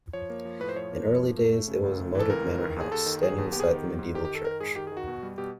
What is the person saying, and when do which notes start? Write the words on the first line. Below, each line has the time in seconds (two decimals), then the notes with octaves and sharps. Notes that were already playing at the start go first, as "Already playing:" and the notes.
In early days, it was a moated manor house, standing beside the medieval church.
0.13 F3 C#5
0.30 A#3
0.45 F3
0.60 A2 B4
0.69 C5
0.76 F3 C#5
0.92 A#3
1.06 F3
1.22 A#3
1.37 A3
1.52 A3
1.68 C#3
1.84 C#2
2.00 A3
2.15 E3 A4
2.30 C#2 A#4
2.46 E3
2.60 D#3
2.76 D#2 G#4
2.91 D#2 A4
3.06 D#3
3.23 F#3 G#4
3.38 D#2
3.52 B3 G4
3.60 G#4
3.67 D#3 G4
3.83 F#3
3.99 G#2
4.14 D#3 G4
4.25 G4
4.31 D#3 A4
4.45 D#3 A#4
4.60 G#2 G#4
4.76 D#3 G4
4.87 G#4
4.92 D#3
4.97 F#4
5.08 B2
5.23 G3
5.38 B2 G4